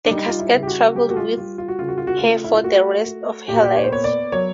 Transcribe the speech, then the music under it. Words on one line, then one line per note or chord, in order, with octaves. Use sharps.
The casket travelled with her for the rest of her life.
D4
G3 D#4
F4
E4
C#3
G4
F#4
G3 G4
F#4
F4
G3 F4
F4
F#4
C#3 F4
F#4
F4
F#4
A3 F4
E4
F4
A3 F#4
A3
A#2 G4
F#4
G4
C#5
C5
B3 C#5
D5
F#3 C#5